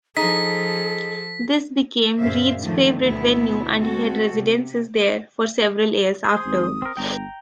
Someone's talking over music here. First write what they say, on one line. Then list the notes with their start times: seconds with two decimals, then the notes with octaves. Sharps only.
This became Reid's favourite venue and he had residencies there for several years after.
0.17 F3 D#4 G#4 A4 B6
2.20 F#2 A#2 C#3 C5 E5 F5
2.61 A2 D3 D#3 F3 A3
3.02 D2 B2 B3 E4
3.80 G#3 C4 F#4 A4
4.34 C3
6.25 G#4 C5 D#6
6.45 G#1
6.82 C4 A#4
6.97 G1 G5 A#5